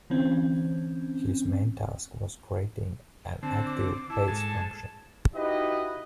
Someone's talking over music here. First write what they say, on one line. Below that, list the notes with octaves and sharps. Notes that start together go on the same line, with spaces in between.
His main task was creating an active peace function.
D3 E3 C4 C#4
D3 C4 A5
D6
E4 A5
G#2 G#4 A4
D#4 E4 F#4 G4 B4 D#5